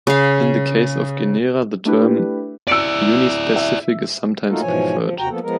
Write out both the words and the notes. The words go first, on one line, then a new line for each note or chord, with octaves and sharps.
In the case of genera, the term "unispecific" is sometimes preferred.
C#3 F5
A3 D4 E4 G4 B4
E4 D5 E6 C#7 D7
E5
A3 A#3 D#4 F4 F#4 A4
G#2 B2 E3 F3 C#5 G#5
F3
D#2 C3 F#4 G5 A#5
F3 A#3 B3 A4
F3 G#3 B3 A#4